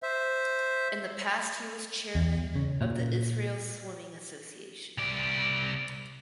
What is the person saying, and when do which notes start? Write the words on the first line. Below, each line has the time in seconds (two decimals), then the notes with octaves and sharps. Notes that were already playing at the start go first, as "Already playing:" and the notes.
In the past he was chairman of the Israel Swimming Association.
0.03 C5 E5
2.15 E2
2.56 C#3
2.81 A#2
4.98 C2 D5